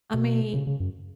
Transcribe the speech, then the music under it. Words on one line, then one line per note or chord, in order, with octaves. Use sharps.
I mean,
B2
C#3
C#3
F#2